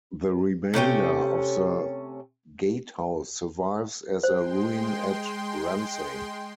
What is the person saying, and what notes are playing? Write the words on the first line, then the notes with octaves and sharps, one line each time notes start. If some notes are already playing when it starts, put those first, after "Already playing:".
The remainder of the gatehouse survives as a ruin at Ramsey.
C3 A3 C#4 G5
G#3 C5 G5 C6